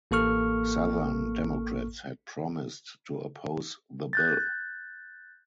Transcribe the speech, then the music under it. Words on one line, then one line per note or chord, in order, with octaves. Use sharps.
Southern Democrats had promised to oppose the bill.
A1 A#3 A4 C#6 F6
F#6 G6 A6